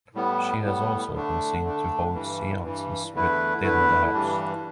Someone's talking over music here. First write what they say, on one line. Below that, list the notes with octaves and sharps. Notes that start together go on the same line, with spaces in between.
She has also been seen to hold seances within the house.
A2 G3 B3
A2 G3 B3
D3 A3 D4
D3 A3 D4
G2 E3 G3
G2 E3 G3
E2 D3 A3 E4 B4
E2 D3 A3 E4 B4
G2 E3 G3 D4